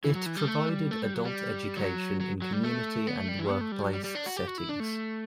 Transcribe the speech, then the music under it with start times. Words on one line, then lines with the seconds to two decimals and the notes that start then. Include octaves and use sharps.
It provided adult education in community and workplace settings.
0.04 E3
0.15 F#3
0.26 E3
0.37 G3
0.47 A3
0.69 G3
0.91 A3
1.02 G3
1.14 F#3
1.25 G3
1.77 F#3
2.20 F#3
2.42 F#3
2.53 G3
2.63 A3
3.07 B3
3.17 A3
3.28 G3
3.39 E3
3.50 B3
3.61 A3
3.72 G3
3.83 F#3
3.93 G3
4.04 G3
4.15 D4
4.26 F#4
4.36 G4
4.47 F#4
4.58 E4
4.69 D4
4.80 A3